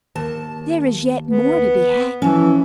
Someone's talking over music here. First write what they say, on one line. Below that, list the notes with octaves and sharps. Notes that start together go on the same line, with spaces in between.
"There is yet more to be had!"
D#2 A5
B3
E3 F3 C#4